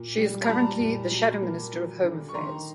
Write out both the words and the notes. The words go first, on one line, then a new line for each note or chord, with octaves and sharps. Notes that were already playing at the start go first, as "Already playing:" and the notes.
She is currently the Shadow Minister of Home Affairs.
Already playing: A#2
G3
A#5
G3 A5 B5
A#2
F#3
A#3
F#3
D3
C#6
D#3 A#5 C6